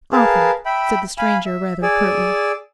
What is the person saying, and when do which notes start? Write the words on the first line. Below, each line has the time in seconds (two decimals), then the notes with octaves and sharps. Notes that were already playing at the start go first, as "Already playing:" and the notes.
'Often,' said the stranger rather curtly.
0.12 G#4 A#4 B4 F5 A5
0.66 E5 G5 B5
1.18 F5 G#5 B5
1.46 E5
1.83 G#4 D5 G#5 E6